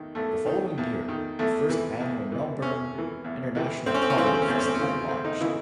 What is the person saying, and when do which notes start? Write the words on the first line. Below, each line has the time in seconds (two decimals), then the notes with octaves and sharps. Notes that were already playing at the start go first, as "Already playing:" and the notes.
The following year, the first annual Melbourne International Comedy Festival launched.
Already playing: E2 D#3
0.15 E2 A3
0.46 D#3
0.78 E2
1.08 D#3
1.39 E2 A3
1.69 C3 E3
2.00 E2
2.32 C3 E3
2.62 E2 C#4
2.94 C3 E3
3.24 E2
3.55 C3 E3
3.86 E2 C4
3.94 C#4
4.02 C4
4.10 C#4
4.16 C#3 E3 C4
4.26 C#4
4.34 C4
4.42 C#4
4.48 E2 C4
4.59 C#4
4.66 C4
4.75 C#4
4.79 C#3 E3 C4
5.09 E2 C4
5.25 D#4
5.40 C#3 E3 E4